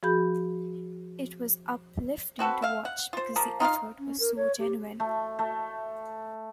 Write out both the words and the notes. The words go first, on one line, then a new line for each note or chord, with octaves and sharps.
It was uplifting to watch because the effort was so genuine.
F3 F#4 G#4 B5 G6
C4 F#4 A4 B4
E5 F5
F#5
F4 C5
F3 A#3
D#4 F4 G4 F5
C#4
A#4
C#5
G4
A3
A3